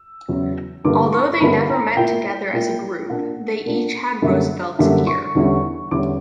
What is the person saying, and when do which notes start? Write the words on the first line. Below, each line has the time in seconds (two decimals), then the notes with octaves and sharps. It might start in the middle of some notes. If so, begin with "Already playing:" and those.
Although they never met together as a group, they each had Roosevelt's ear.
Already playing: E6
0.28 E2 C#3 F#3 C#4 E4
0.84 G2 D3 A#3 E4 D6
1.13 C#6
1.41 G2 D3 A#3 E4 B5
1.69 A#5
1.97 A#2 A#3 E4 G5
2.53 A#2 A#3 E4
3.10 A#2 A#3 D4 F#5
3.66 A#2 A#3 D4
4.22 F#2 D3 G3 A#3 E5
4.79 F#2 D3 G3 A#3 E5
5.07 C#6
5.35 E2 D3 G3 C#4 E4
5.91 E2 D3 G3 C#4 E4 D6